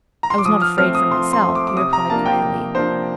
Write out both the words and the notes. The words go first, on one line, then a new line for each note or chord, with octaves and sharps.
"I was not afraid for myself," he replied quietly.
A#5
C6
D6
F3 D#6
F6
A3 C4 F6
D#6
F3 C6
C6
A3 C4
D6
D6
C3 D#6
A#5
F3 A#3 D4 A5
G5
C3
F3 A#3 D4 C5